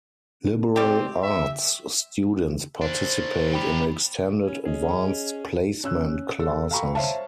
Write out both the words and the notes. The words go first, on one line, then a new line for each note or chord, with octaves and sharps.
Liberal Arts students participate in extended Advanced Placement classes.
G3 C4 G4
E5
A#2 D4 C5
G5 B5
C#4
C#4 G#4 D#5
C#4 E6 F#6
A4 E6
A4 F5 G5 A#5 B5 C#6
C5 C#5 E5 F5 A5